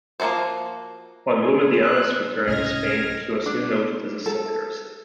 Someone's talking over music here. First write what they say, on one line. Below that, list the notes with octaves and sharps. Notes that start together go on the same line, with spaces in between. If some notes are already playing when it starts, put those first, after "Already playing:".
On Villmediana's return to Spain, he was soon noted as a satirist.
F3 A#3 F4 F#4 C5
G#4
F#6
C2 G#2 B2 C#4 D#5 F6 G#6 A#6
D4
A4